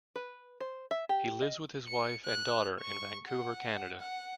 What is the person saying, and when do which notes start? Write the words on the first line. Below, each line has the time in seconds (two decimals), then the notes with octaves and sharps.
He lives with his wife and daughter in Vancouver, Canada.
0.16 B4
0.60 C5
0.91 E5
1.09 G4
1.42 D#5
1.87 C#7
2.25 F#6
2.80 C#6
3.26 F#5
4.00 F#5